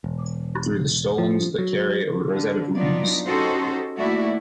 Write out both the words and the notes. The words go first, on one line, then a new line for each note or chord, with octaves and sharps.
Through the stolons that carry a rosette of leaves.
E1
F3
F#3
D3
F#3 B3 D4 D#4 F4 D5
C#4 D#4 F#4 G4 A4 C5
D#2 A3 E4 F#4 D5